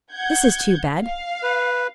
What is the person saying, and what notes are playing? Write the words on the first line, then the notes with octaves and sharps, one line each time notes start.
This is too bad!
F#5 G6 G#6
F5
B4